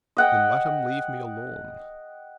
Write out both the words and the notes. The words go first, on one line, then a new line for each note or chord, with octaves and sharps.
'Then let him leave me alone.
D#5 F#5 G5